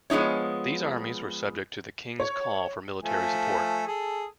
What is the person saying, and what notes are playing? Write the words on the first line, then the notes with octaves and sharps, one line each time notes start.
These armies were subject to the king's call for military support.
F3 G#3 B3 D#4 C#5
C#5
F3 A3 G#5
G#4 A4